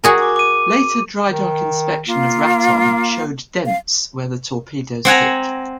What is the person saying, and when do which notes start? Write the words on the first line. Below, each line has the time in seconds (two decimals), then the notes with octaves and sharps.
Later dry-dock inspection of Raton showed dents where the torpedoes hit.
0.04 F#4 G#4 A#4
0.22 D6
0.36 D6 D#7
1.28 D#3
2.07 A#3 F4
3.66 F5
5.05 C4 F#5 G#5 A#5